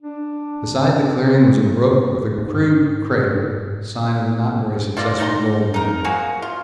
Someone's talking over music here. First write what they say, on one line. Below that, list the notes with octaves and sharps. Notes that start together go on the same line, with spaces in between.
Beside the clearing was a brook, with a crude cradle--sign of a not very successful gold miner.
D4
G#2
B2 F4 D5 D#5
D#3 D#4 A#5 C6
D#4 A#4
A#3 F#4 G#4
F4